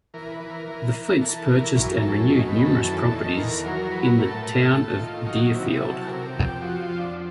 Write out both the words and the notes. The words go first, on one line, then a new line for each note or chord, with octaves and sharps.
The Flynts purchased and renewed numerous properties in the town of Deerfield.
E3 A#4
B4
E3
A#4
E3
E3
E3 A4
E3 A#4
F#2 A#4
F#2 A4
D#3
B4
F#2
A4
E2
D#3
E2 A#4
F#3 A#4
F#3 B4
A#4
A2
A4
A2
A2
D#3 F4
F#3 D#4
C3 E4
F#3 A4
C3 A#4
G4
F2
G4
F3 F#4
F4
F2
D4